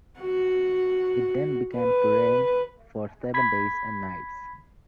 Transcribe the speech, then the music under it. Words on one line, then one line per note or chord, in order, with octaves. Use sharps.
It then began to rain for seven days and nights.
F#4
B4
B5 G#6 B6